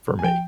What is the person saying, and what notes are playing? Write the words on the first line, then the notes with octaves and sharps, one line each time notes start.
for me.
G#5
F3 G5